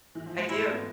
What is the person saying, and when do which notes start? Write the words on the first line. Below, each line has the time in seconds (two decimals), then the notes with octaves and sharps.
I do.
0.15 E3
0.26 F3
0.38 G#3
0.49 G#3 E4
0.60 A3
0.72 B3